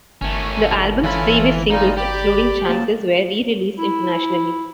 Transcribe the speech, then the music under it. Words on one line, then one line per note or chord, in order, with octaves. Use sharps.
The album's previous singles - excluding "Chances" - were re-released internationally.
G1 D#3 A3 C#4
E2 B2 D#3
E3 C#4 F4 A4 B5
A#2 G3 A#3 D#4
G4 D5 B5 D6
C#3 F#3 A#3 A5
E4